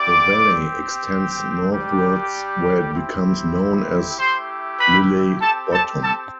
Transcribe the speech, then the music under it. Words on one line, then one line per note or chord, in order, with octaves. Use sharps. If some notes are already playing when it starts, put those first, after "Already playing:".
The valley extends northwards where it becomes known as Lilley Bottom.
Already playing: B3 E4 G4 D5 D6
C4 G4
G3 D4 G4
C4 E4 G4
A3 E4 G4 C5 C6
B4 B5
C4 G4 A4 A5
A4 A5
A4 A5